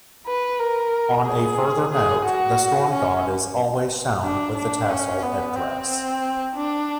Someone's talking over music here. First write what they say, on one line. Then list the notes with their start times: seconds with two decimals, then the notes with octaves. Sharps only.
On a further note, the Storm God is always shown with the tassel headdress.
0.27 B4
0.59 A#4
1.25 G#4
1.91 G#4
2.25 F#4
2.91 C#4
4.24 D4
4.57 D4
4.90 C#4
5.23 B3
5.56 C4
6.56 D4